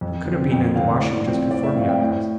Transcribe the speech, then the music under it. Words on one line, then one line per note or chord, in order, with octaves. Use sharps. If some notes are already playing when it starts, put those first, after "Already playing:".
"Who could have been in the washroom just before me?" I asked.
F2
D3 F3 C4
F2 G5
D3 F3 C4 F5
A2 D5
F3 C4
A2 D5
E5
F3 C4 F5
G5
A2 G5